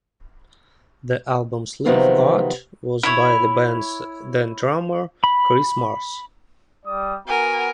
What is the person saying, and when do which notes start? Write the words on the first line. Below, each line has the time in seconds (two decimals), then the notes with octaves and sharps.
The album sleeve art was by the band's then-drummer, Chris Mars.
1.85 C3 D#3 F3 F#3 B3 C4
3.03 E4 C#5
5.24 B5
6.86 G3 D5 D#6
7.27 B3 F#4 A#4 G#5 A#5